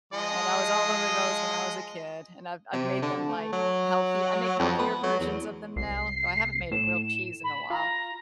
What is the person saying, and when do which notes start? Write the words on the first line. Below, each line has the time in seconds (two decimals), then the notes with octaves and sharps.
And I was all over those when I was a kid and I've I've made them like healthy. I make healthier versions of them now, though I haven't made a grilled cheese in a while.
0.13 F3 G#3 D#5
2.73 C3
3.02 D3
3.28 A3
3.53 F#3
4.59 F2
4.78 B3
5.03 F#3
5.20 E2
5.76 C2 C7
6.71 A2 E7
7.43 B5
7.70 F4 A#5